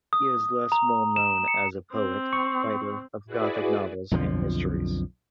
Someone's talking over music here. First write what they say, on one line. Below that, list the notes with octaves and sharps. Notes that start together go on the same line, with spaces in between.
He is less well known as a poet, writer of gothic novels and histories.
D#6
A#5
E7
C#7
C4
C#6
E4 F#4 G#4 B4 D5
B1 F2 D3 F3